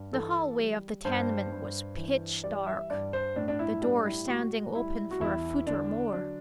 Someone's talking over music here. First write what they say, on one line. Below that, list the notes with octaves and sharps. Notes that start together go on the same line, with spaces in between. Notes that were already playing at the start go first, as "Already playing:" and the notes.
The hallway of the tenement was pitch-dark, the door standing open for a foot or more.
Already playing: G2
E3 A4
G3
G2 C5
G2
E3
G3 D5
E5
G2 D5
C5
A2 D4
D4
E4
G3 D4
E4
A2 F#4
G3 E4
F#4
E2 E4
D3 D4
F#3 D4